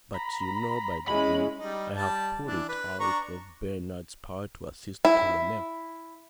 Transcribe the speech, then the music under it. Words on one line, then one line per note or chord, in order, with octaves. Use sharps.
But you know, by the will, I have put it out of Bernard's power to assist Tolomeo.
A#5 B5
G#3 C#4 E4 B5
G3 D#4
G3 A5
E3 D4
B4
D4 A#5 C#6
E4